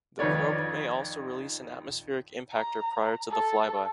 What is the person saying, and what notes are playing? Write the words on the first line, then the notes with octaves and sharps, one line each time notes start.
The probe may also release an atmospheric impactor prior to the flyby.
F2 D#3 B4 C#5 D5
A#5
A4